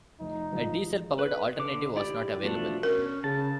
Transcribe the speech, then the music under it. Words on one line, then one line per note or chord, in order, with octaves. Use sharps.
A diesel powered alternative was not available.
F1 D#4
G#1 F3
B4
D3 D6
E4 G4 D5
B2 F3 A3 D4
C#4 A#4
C#3 A5